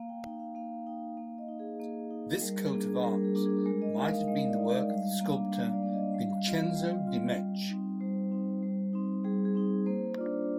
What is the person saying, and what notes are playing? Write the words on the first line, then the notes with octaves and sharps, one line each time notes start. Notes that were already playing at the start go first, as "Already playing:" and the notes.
This coat of arms might have been the work of the sculptor Vincenzo Dimech.
Already playing: A#3 F5
G5
D#4 G5
F5
A#3 F5
D#4 G5
A#3 F5
D#5
D#4
G#4
A#3
D#4
G3 A#4
G#4
A#3 D4 G#4
G#4
G3 A#4
G#4
A#3 D4
G#4
G#3 A#4
D#5
D#4 F5
F5
G#3 D#5
D5
D#4
G3 F5
A#3 D4
G3 F5
D5
A#3 D4
D#5
G3 F5
F5
C4 F4 D#5
F5
G3 G5
C4 F4
G3
C4 D#4
G3 C5
C4 D#4
G3
C4 D#4
G3 G#4
G#4
C4 D#4
A#3 C5
D4 F4 D5